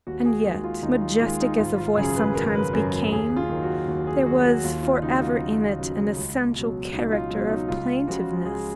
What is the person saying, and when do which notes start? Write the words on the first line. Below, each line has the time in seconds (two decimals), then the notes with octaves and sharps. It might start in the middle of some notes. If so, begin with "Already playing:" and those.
And yet, majestic as the voice sometimes became, there was for ever in it an essential character of plaintiveness.
0.07 D#2 F#4
0.25 G#4
0.44 D#3 G#3 F#4
0.64 F4
0.83 D#2 D#4
1.01 F4
1.20 D#3 G#3 F4
1.40 D#4
1.59 G#1 F4
1.78 F4
1.97 F#2 C#3 G#4
2.16 B4
2.35 G#1 A#4
2.55 B4
2.73 F#2 C#3 A#4
3.11 D#2 G#4
3.36 F4
3.49 D#3 F#3
3.63 F#4
3.88 D#2 F#4
4.07 G#4
4.26 D#3 F#3 F#4
4.45 F#4
4.64 D#2 F4
4.83 F4
5.02 C#3 F#3 D#4
5.18 F#4
5.22 F4
5.40 D#2
5.79 C#3 F#3
6.17 C#2
6.55 B2 F#3
6.92 C#2 D#4
7.12 F4
7.30 B2 F#3 F4
7.50 D#4
7.68 C#2 F4
8.07 C#3 F3 G#3 F#4
8.45 C#2 G#4